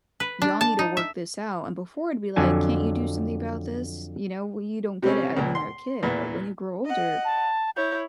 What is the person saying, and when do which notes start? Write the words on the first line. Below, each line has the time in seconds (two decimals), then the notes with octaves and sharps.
y'all need to work this out." And before it'd be like, "Can't you do something about this?" You know? Well, you don't get it, uh, when you're a kid, but when you grow older,
0.20 B4
0.42 D4
0.61 A5
0.79 D#4
0.97 E5
2.36 F2 D3 F#3 G#5 A5
5.02 C3 G3 C4 C#4
5.37 C#2 A#2
5.55 C6
6.03 E2 A#2 E3
6.85 D#5 F#5
7.25 A5
7.76 E4 C#5 G6